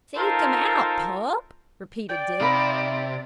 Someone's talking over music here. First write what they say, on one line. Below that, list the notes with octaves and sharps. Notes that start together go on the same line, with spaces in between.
"Seek him out, pup!" repeated Dick.
D#4 F4 A4 A#4 C5
D5 G5
C3 D#4 F5 B5